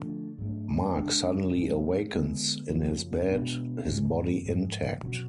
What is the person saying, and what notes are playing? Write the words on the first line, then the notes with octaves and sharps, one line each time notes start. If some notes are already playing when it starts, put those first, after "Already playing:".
Mark suddenly awakens in his bed, his body intact.
Already playing: D3 F3 A3 D4
G#2 F#3 A3 D4
C#3 G#3 D4
A2 F3 G#3
D3 G#3 B3
F#2 C#3 F3
B2 G#3 B3 D4
G#2 G#3 C#4
G#2 F3 G#3
B2 F#3 C#4